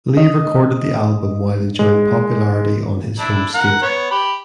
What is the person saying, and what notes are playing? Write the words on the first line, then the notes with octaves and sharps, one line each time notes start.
Lee recorded the album while enjoying popularity on his home state.
D#5
G#3
D4 E4
A#4 F#5
B3 C#5
G4 B5